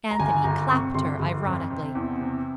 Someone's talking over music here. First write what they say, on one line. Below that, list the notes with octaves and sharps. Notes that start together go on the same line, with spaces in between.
Anthony clapped her ironically.
A#5
G1 G#5
G1 A#5
C3 C#6
G1 C6
G1
F2
C3
E2
C3